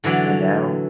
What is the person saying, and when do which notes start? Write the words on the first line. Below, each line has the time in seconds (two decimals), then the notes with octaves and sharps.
And now
0.04 D3 E3 F#3 D5